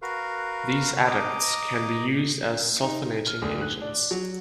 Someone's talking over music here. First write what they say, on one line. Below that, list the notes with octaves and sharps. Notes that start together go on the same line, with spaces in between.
These adducts can be used as sulfonating agents.
F#4 A#4 B4 F5
D#5 A#5 D6
D#4
F6
D2
F#6
D4
F#3